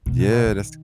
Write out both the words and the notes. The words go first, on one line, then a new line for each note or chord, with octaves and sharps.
Yeah, that's t
B2
A#2
B2
D#3